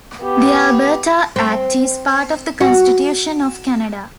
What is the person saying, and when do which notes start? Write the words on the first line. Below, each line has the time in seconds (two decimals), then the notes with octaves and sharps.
The Alberta Act is part of the Constitution of Canada.
0.22 B3 G4
1.36 C4
2.61 F#4